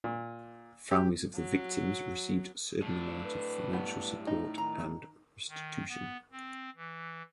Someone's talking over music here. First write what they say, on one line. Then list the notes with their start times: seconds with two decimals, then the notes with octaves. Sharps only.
Families of the victims received certain amount of financial support and restitution.
0.04 A#2
0.91 G4
1.35 F#3
2.82 A2 D4
3.26 B4
3.73 G2 B3
4.27 D#4
4.58 D#3 A#5
5.48 D#3
5.89 B3
6.31 C4
6.76 E3